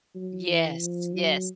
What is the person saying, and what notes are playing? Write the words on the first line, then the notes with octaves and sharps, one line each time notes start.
Yes, yes.
F#3
E3
F3
F#3